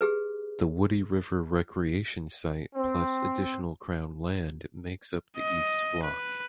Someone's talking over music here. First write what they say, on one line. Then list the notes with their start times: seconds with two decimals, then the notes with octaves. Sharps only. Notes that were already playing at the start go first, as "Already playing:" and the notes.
The Woody River Recreation Site plus additional Crown land makes up the East Block.
0.01 G4 G#4 B4
2.74 C4
5.38 D#5
6.03 B4